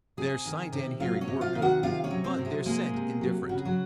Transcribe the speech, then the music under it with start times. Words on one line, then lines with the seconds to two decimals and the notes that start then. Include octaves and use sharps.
Their sight and hearing were good, but their scent indifferent.
0.17 C3 G#4 G#5
0.45 D#3
0.72 C3
1.00 F#3 F4 F5
1.21 C#4 C#5
1.28 C3
1.41 F4 F5
1.55 D#3
1.62 F#4 F#5
1.83 C3 F4 F5
2.04 C#4 C#5
2.11 F#3
2.24 C4 C5
2.39 C3
2.45 G#3 G#4
2.66 G#3 A#3 G#4
2.94 C3
3.21 F#3
3.49 C#3 F#4
3.58 G#4
3.65 F#3 F#4